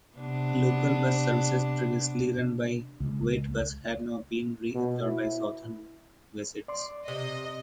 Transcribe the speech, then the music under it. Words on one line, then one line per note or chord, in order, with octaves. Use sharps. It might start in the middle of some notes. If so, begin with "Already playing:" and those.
Local bus services previously run by Wightbus have now been re-absorbed by Southern Vectis.
C3 B3 D4
C#2
B2
E4
D5 C6 D6
C3 D#5